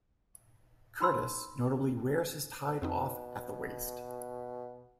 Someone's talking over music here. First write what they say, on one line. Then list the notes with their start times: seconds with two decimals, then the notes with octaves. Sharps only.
Curtis notably wears his tied off at the waist.
1.00 D#4 B5 C6 E6
2.82 F2 B2 C4 D#4